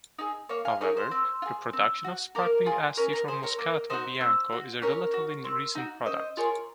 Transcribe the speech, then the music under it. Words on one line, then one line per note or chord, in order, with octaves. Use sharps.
However, the production of sparkling Asti from Moscato Bianco is a relatively recent product.
D#4 G#4
A#3 C#5 F5
F5 G#5
D#4 G#4 A#4 C#5
C5
C4
F4
G#4
C4
F#4
A#3 A#4
F4 G#4
C#4 A#4
A#4
G#4 C5
A#4 C#5
A#3 A#4
D#4 F#4 C5
C4
F#4
C#4 A#4 C#5
F#4
C4
D#4 F#4
C#4 C5 D#5
F4 G#4 A#4 C#5